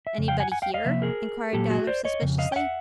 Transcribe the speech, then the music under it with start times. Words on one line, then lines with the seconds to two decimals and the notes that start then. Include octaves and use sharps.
'Anybody here?' inquired Dowler suspiciously.
0.07 E5
0.18 F2 C#3
0.28 F5 G5
0.40 F#5 G#5
0.52 F#5 G#5
0.62 F5 G5
0.74 D#5 F5
0.85 C3 F3 A#3 E5
1.02 G#4 A#4
1.53 A#2 F#3 A#3 G4 A4
1.70 F#4 G#4
1.87 C5 D5
2.05 C#5 D#5
2.22 F2 C#3
2.38 D#5 F5
2.52 G5
2.56 E5 F#5